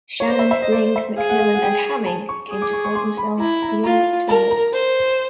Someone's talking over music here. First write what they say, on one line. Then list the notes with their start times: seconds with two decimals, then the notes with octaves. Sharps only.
Shannon, Ling, McMillan and Hamming came to call themselves the Young Turks.
0.20 C#5
0.28 C5 D5
0.39 E5
0.51 E5
0.62 D#5
0.72 D5
0.96 E5
1.17 G#4 F5
1.29 F#5
1.40 F5
1.55 F#5
1.62 G5
2.06 A5
2.29 C#6
2.50 G#4 D#6
2.62 D6
2.73 C#6
2.84 C#6
2.95 C6
3.17 B5
3.39 E4 A#5
3.62 A#5
3.84 F4 A#5
4.28 A#4 A5
4.51 A#5
4.73 C5